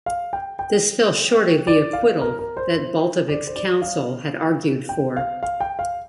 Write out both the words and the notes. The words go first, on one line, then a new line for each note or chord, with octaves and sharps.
This fell short of the acquittal that Baltovich's counsel had argued for.
F5
G5
G5
D5
F5
A#4
A#4
C5
C5
D5
C5
D5
F5
G5
F5
F5
G5
F5